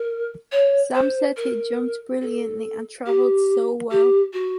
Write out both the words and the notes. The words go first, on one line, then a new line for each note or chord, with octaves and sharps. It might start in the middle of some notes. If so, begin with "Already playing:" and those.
Sam said he jumped brilliantly and travelled so well.
Already playing: A#4
C#5
C5
A#4
A4
G4
G4
F#4